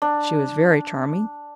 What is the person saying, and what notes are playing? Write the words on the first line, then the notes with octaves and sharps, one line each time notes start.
She was very charming.
D4